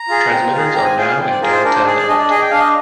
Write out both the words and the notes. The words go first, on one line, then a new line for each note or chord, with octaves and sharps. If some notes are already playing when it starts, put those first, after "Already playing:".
Transmitters are now in downtown Atlanta.
Already playing: A#5
F4 G#4
C4
F4 G#4
C4 A#5
G#5
F4 G#4 G5
F5
C4 G5
D5
F4 G#4 A#4
C5
D4 A#4
C5
G#4 D5
D5
D4 D#5
D5
G#4 D#5
G5
D4 F5
D#5